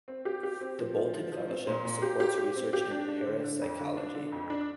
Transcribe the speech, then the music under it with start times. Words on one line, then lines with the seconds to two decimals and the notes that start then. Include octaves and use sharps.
The Bolton Fellowship supports research in parapsychology.
0.08 C4
0.25 G4
0.43 G4
0.61 C4
0.79 F3
0.96 F3
1.14 F3
1.32 F3
1.49 C4
1.67 A#2
1.85 A#2
2.02 G4
2.20 G4
2.38 G4
2.56 C4
2.73 G4
2.91 D4
3.08 D4
3.26 D3
3.44 D3
3.62 F2
3.79 D3
3.97 D4
4.15 D3
4.32 F2
4.50 D4